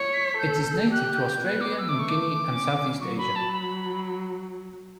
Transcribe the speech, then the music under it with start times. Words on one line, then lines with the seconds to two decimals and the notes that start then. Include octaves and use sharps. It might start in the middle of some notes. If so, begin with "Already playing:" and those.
It is native to Australia, New Guinea and Southeast Asia.
Already playing: C#5
0.13 B6
0.38 A4 G6
0.91 G4 F#6
1.18 G6
1.44 B3 F#6
1.61 D6
1.78 E6
1.89 D6
1.96 A3 C#6
2.10 D6
2.48 C#4
3.01 F#3 C#6
3.18 B5
3.36 A5
3.53 B5